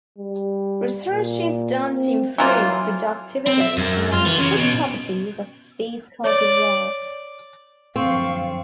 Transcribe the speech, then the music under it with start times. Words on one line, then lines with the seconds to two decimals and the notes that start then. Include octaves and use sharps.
Research is done to improve productivity and fruit properties of these cultivars.
0.18 G3
1.09 A#2
1.91 C4
2.38 E3 F#3 A#3 F4
3.47 C4
3.61 E5
3.78 F#2
4.13 F4
4.26 E3
4.39 C#3
4.58 B2
6.24 C#5 D5
7.96 F#2 D3 F3 C4 F5 C#6